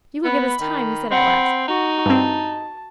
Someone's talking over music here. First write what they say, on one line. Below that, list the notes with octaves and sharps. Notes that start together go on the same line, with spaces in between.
"You will give us time," he said at last.
B3 B5
D#3
C4 F#5 B5
D#4 F#4
G2 C4 A5